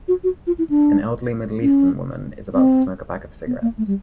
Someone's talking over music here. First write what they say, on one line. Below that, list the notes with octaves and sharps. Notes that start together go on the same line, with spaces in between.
An elderly middleeastern woman is about to smoke a pack of cigarettes.
F#4
F#4
F4
E4
D4
C#4
C4
B3
A#3
A3
G3